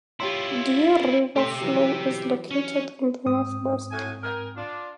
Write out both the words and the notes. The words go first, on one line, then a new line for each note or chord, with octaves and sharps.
Deer River Flow is located in the northwest.
E4 F4 G4 C#5 C6
A3 G4 E5 C6
E3 F#3 G3
C#4
G#2 C4 D#6
A2 F#4 G#5
A#4 G5 G#5
D4 F4